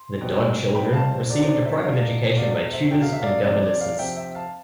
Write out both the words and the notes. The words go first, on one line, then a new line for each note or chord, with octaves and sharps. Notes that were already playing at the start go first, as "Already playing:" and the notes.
The Dod children received a private education by tutors and governesses.
Already playing: C6
B2 G3 C4
B2 G3 C4 G5 B5
F5 A5
C5
E2 B2 A3 D5
C5
D5
C5 E5
E2 B2 A3 D5 F5
E2 B2 A3 D5 F5
C5 E5
E2 B2 A3 G5
F5
E5
D5 F5
C3 F3 C4 D5
D5
D5 F5
C3 F3 C4 E5 G5
E5 G5
F5 A5